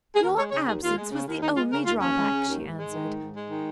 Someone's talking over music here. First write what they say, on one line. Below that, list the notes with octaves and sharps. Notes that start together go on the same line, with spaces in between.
"Your absence was the only drawback," she answered.
G#4
D#2 A#4
G#3 C#5
C#3 C#5
D#2 G#4
D#2 F4
G#3
C#3
D#2
D#2 D#4
G#3 F4
C#3 A#4
D#2 F4
D#2 C#4
G#3
C#3
D#2
G#2
G#3
D#3
G#2
G#2
G#3
D#3